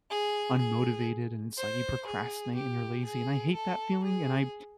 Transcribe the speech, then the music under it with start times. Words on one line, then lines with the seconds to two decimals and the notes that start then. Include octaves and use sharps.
unmotivated, and it's like you procrastinate, and you're lazy and I hate that feeling, and I
0.10 G#4
0.59 G#4
1.58 C5
2.07 G#4
2.56 G4
3.05 G#4
3.55 A4
4.04 G#4